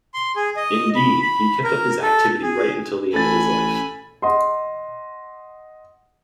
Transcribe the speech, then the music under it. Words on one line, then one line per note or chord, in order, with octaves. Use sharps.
Indeed, he kept up this activity right until the end of his life.
C6
G#4
D#5
B5
B5
A#4
A4
G#4
A1 A4 G#5 B5 A6
D#5 F#5 C6